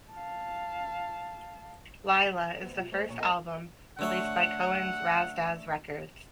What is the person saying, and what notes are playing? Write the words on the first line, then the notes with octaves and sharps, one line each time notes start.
"Lyla" is the first album released by Cohen's Razdaz Recordz.
F5 A5
D2 B3 C4
C3 F4
A3 C5 C#5
E2 A#2 C#5
G#3 C4 A#4 D#5
D3 A3 C#5 F#5